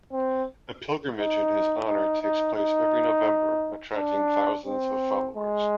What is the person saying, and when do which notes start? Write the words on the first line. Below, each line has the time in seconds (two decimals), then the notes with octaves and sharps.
A pilgrimage in his honour takes place every November, attracting thousands of followers.
0.13 C4
1.17 D#4
1.87 D#4
2.22 D#4
2.56 D#4
3.96 D4
4.66 C4
5.36 G#3